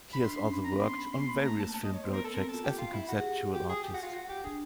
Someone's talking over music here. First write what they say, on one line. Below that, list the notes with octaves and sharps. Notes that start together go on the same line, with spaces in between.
He has also worked on various film projects as a conceptual artist.
B5
D4 C6
C#4 C6
C#4 B5
C4 A#5
B3 B5
C4 C6
B5
B3 C6
A#3
A3 B5
A5
A3 A#5
A5
A5
D#5
C#5
B3 C5
A#4
A4
C4 A#4
B3
A4
F4
G4
F4
E4
F#4 G#4
G4
F#4 G4
G#4
G4
F#4
F4
F#4
G4
D4 G#4